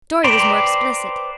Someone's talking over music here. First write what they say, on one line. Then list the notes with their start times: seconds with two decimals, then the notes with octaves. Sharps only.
Dorry was more explicit.
0.24 B4 C5 D5 G5 A#5